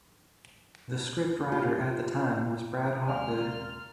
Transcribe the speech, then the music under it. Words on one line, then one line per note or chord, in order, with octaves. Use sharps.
The script writer at the time was Brad Hopgood.
F4 G4
D#2 G#2 C3 D5 F5 G#5 C6 F6
A#5 A6